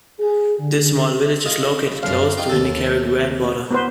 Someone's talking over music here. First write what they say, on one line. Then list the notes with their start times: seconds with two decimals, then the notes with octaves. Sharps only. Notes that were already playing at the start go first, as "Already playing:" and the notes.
This small village is located close to the Nicaraguan border.
0.20 G#4
0.59 D3
1.46 F4 D#5
2.03 B1 F#2 F5
2.37 D#4 F4 G5
2.49 D#2 A4
3.71 B3 B4 C5